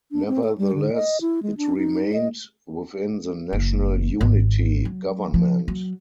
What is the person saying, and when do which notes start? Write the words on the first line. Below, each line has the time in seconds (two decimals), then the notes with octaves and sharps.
Nevertheless, it remained within the national unity government.
0.12 D4
0.28 C4
0.44 A4
0.58 G3
0.75 D3
0.93 D#5
1.21 E4
1.43 G#3
1.57 D4
1.77 D#4
2.13 D#5
3.53 F#1
4.21 G#1
4.85 F#3
5.34 F3
5.68 F#3